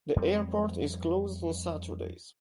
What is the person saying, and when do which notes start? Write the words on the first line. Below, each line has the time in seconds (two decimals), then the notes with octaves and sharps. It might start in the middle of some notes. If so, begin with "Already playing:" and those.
The airport is closed on Saturdays.
0.16 F2 G3 C4